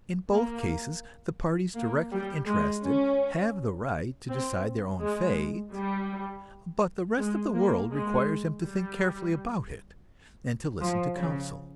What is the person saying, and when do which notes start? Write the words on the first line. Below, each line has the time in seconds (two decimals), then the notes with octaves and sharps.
In both cases, the parties directly interested have the right to decide their own fate, but the rest of the world requires them to think carefully about it, and to listen to counsel.
0.30 A#3
1.75 A#3
2.11 G3
2.47 G#3
2.84 C#4
4.29 C4
5.01 G#3
5.73 G3
7.18 G#3
7.54 A#3
7.91 G#3
8.63 G3
10.81 F3
11.17 C#3